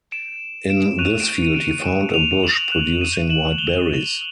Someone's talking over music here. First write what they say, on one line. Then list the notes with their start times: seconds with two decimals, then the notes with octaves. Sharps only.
In this field he found a bush producing white berries.
0.12 D7 E7
0.69 D7 E7
0.99 C#6 F#6 D#7 F7
1.20 D7 E7
1.42 C#7 D#7
1.55 D7
1.64 C#7 D#7
1.85 D7 E7
2.14 D#7 F7
2.43 E7 F#7
2.72 C#6 F#6 E7 F#7
3.01 D#7 F7
3.29 E7 F#7
3.58 F7 G7